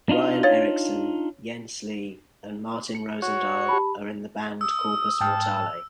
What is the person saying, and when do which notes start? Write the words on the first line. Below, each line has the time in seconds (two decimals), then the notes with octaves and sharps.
Brian Eriksen, Jens Lee and Martin Rosendahl are in the band Corpus Mortale.
0.09 D4 D#4 F4
0.43 C#5 F5 A6
2.95 C#7
3.22 F#4 C#5
3.69 G4 A5 B5
4.61 D#6 E6
5.20 G#2 G5 A5 F6